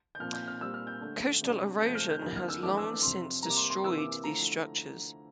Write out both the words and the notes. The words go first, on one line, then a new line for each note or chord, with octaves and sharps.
Coastal erosion has long since destroyed these structures.
G6
A#2 F3 C4 F6
G6
F6
A#2 G3 C4 E6
F6
G6
D3 A3 D4
C3 G3 D4
C3 F3 A3 G6
F6
G6
F2 D3 G3 A#3 E4 G6
F6
E6
F2 E3 A3 D4 D6
E6
D6
F2 C3 F3 C6
C3 G3 A#3 A#5
D6
C6
C6
C3 E3 A#3 E4 E6
D6
D3 F3 A3 E4 A#5